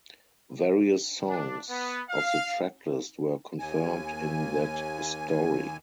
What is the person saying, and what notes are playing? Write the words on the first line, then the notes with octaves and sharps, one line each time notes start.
Various songs of the tracklist were confirmed in that story.
D4
B3
F5
D#2 G#5